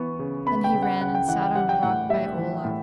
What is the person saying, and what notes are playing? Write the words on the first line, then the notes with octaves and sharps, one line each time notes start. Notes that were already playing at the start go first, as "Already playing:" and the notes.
Then he ran and sat on a rock by Olaf.
Already playing: E3 B3 C#6
C#3
B3 B5
G5
C#3
F#5
C#3 F#5
G5
E3 F#5
G5
G3 F#5
G5
A2 F#5
G3 E5
E3
A2